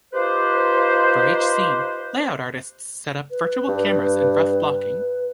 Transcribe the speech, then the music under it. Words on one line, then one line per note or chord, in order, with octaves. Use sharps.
For each scene, layout artists set up virtual cameras and rough blocking.
D#4 F4 G4 B4 C5
B4
G2